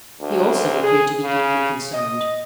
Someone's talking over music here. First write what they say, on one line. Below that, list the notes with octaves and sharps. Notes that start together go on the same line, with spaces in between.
He, also, appeared to be deeply concerned.
D2
G#4
C#3
D#5